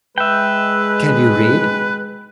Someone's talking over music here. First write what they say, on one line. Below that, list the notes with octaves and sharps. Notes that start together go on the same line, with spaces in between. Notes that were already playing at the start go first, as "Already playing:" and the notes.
"Can you read?"
G#3 B4 E5 G5